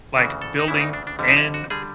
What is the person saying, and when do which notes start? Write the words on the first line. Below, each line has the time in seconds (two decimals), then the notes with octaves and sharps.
like, building and
0.16 D2 C#3 E3 F#4
0.42 A4
0.59 D#4
0.68 D2 C#3 E3 E4
0.80 D#4
0.93 D4
1.07 D4
1.19 F2 D3 G3
1.28 D#4
1.37 E4
1.54 F#4
1.70 D3 G3 G#4